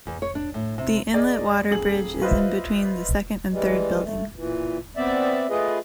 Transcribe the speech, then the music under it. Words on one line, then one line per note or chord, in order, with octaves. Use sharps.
The inlet water bridge is in between the second and third building.
E2
C#5
D4
A2
C3
G#4 D5 D#5
D#1 G#4 F#7
F4 B4 C5 D#5 E5
E3 G3 G#3
A3
A#2 E3
B3 C4 D5 E5
A3 F4 G#4 B4 D#5